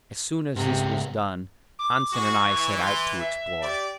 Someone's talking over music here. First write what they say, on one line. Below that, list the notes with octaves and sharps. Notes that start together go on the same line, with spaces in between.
As soon as this was done Hanssen and I set out to explore.
C#2 G#2 C3
D6
G#3 F#4 C#6
E3
C6
E5
G4 D5